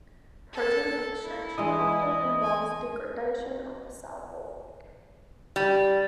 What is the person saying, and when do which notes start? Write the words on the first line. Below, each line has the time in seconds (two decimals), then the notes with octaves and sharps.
Protein extraction often involves degradation of the cell wall.
0.53 A4
1.23 E4
1.58 E3 G#3 D#5
2.42 G#5
5.56 G3